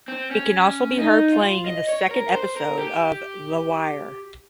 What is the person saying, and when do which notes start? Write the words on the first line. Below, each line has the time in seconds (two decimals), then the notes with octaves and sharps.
It can also be heard playing in the second episode of "The Wire".
0.08 C4
0.31 C#4
0.98 D#4
1.32 F4
1.66 D#5
1.89 C#5
2.11 A#4
2.33 C5
2.56 A#4
2.78 G4